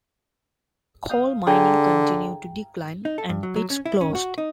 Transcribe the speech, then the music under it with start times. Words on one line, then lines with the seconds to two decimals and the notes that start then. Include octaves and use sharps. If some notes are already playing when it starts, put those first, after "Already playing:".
Coal mining continued to decline and pits closed.
1.09 F5 D#6 G6
1.47 D3 G#4 G5 A#5
3.05 D#4
3.18 A4
3.29 G2
3.43 F#3
3.56 F#3
3.70 C#4
3.86 E4
4.01 C#4
4.15 F#4
4.38 D#4